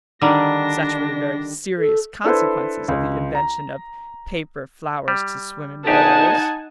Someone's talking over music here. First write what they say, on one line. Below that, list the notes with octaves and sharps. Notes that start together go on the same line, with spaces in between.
Such were the very serious consequences of the invention of paper flowers to swim in bowls.
D3 D#3 G3 D4 A#6
A4
D4 E4 A4 B4 C5
C#2
A#5
G3
A#1 E2 D#4 G4 F#5 G#5 A5